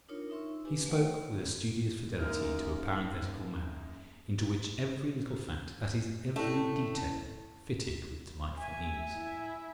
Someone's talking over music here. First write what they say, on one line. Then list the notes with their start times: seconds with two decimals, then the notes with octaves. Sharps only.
He spoke with a studious fidelity to a parenthetical manner, into which every little fact--that is, every detail--fitted with delightful ease.
0.08 D4 D#4 F4 A#4 C#5
0.30 D#4 E5 C6 C#6 E6
0.65 D4 G4 B4 G#5
0.86 A3 C5 E5 F#5 G5
1.02 C#5 G5 E6
2.19 F#2 G#3 A#3 D#4 E4 F6
6.36 A3 C#4 E4
8.58 E5 G#5
9.17 E4 E5